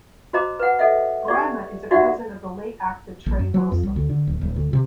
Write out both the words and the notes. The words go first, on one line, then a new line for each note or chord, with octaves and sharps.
Brimer is a cousin of the late actor Trey Wilson.
F#4 C5 D#5 A#5 D6
B4 F#5
A4 D#5 E5 F#5
G4 C#5 D5
D#4 F#4 G4 D5 E5 F#5
A#1
F#2
F#3
F2
C2
D2
D3
D1
D1
D2
C3